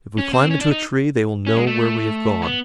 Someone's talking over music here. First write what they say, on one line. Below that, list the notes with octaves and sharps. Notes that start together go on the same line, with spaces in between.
If we climb into a tree they will know where we have gone.
C#4
C4
C#4
D4
D#4
C#4
G#3
A3
B3